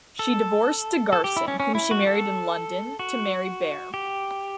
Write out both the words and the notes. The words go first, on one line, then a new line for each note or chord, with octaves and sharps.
She divorced De Garson, whom she married in London, to marry Baer.
A4
A4
G4
E4
C#4
C#4
E4
F#4
A4
F#4
G4